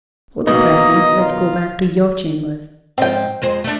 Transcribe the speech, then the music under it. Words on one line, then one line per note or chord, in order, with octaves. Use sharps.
For the present let's go back to your chambers.
B2 D#3 A#3 D#4 D#5
F4
G#2 F3 C4 G5
F2 G#3 C5
A3 D4